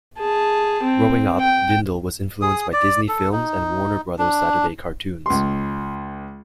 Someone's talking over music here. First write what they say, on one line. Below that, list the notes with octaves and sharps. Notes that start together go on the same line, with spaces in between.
Growing up, Dindal was influenced by Disney films and Warner Brothers Saturday cartoons.
G#4 A5
C4
G5
G#4 D#6
D5
A4
D#4
D4
C#2 C6